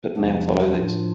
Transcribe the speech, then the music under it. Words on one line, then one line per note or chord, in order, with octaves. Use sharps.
But now follow this!
E2 C3 F3 B3 D4
A2 F3 D4 F4